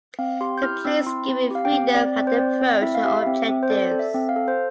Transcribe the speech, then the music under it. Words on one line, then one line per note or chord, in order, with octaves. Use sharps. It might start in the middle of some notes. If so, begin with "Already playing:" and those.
The player is given freedom how they approach their objectives.
C4 F5
G4 C6
G6
E4 F6
C4 E6
E4 C6
C4
G4 F5
G5
C4
C4 D5
C4
C5
C4 D5
C4
E4 E5
F5
G4 E5
C4
C4
C5
A4 D5
A4
E5
C4
F5
A4
C5